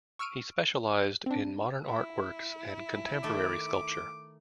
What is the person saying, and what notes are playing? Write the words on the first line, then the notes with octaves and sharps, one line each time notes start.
He specialised in modern art works and contemporary sculpture.
C#6 E6 F6 D7 D#7
C4 D4
E4
D#3 A3 A4 D6